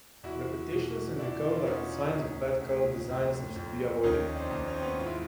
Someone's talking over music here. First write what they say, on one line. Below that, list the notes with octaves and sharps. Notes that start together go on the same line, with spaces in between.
Repetitions in the code are signs of bad code designs and should be avoided.
E2 E4 F#4
B2
E2 D4 E4
F4
E4
E2 C#4 D#4
D2
D2
F2
F2
D#2 C#4 D#4
C4 D4
D#2
C#4
C4
B3 C#4
G#2 F4
E4